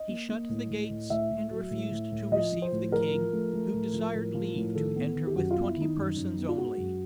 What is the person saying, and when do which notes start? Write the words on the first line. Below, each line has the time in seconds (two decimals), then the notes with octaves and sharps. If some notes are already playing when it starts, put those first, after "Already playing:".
He shut the gates, and refused to receive the king, who desired leave to enter with twenty persons only.
Already playing: D#5
0.09 A#3
0.29 A#3
0.49 A2
0.70 A2
0.90 A2
1.10 A2 E5
1.31 A2
1.51 F#3
1.71 A2
1.91 A2
2.12 A2
2.32 F3 D#5
2.52 F3
2.62 C5
2.72 A2
2.92 F3 A#4
3.13 F3
3.33 A3
3.53 A3
3.73 A2
3.94 F3
4.15 A2
4.35 F3
4.55 A2
4.75 D#3 A4
4.96 B3
5.15 D#3
5.27 G4
5.35 F#2 F#4
5.51 F4
5.56 B3
5.66 E4
5.76 D#3 D#4
5.97 F#2
6.17 F#2
6.37 B3
6.49 F4
6.57 G#3 F#4
6.78 F#2